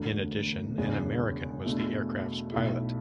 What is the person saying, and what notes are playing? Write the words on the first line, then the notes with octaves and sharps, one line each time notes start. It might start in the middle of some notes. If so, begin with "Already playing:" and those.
In addition, an American was the aircraft's pilot.
Already playing: E1 D2 D3
E1 E2 C#3 G#3 D4
E2 B2 A3 D4 G#4
B1 B2 A3 E4 A4